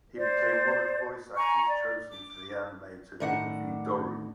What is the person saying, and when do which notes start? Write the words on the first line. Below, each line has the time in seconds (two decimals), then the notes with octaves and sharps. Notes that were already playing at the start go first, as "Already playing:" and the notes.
He became one of the voice actors chosen for the animated movie "Doru".
0.16 C5 D5
1.35 G#5 A#5 C#6
1.68 D5
2.09 D6
3.20 A2 D#3 D4 F#5